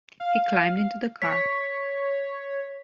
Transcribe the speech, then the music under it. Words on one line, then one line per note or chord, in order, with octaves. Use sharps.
He climbed into the car.
F5
C#5 B6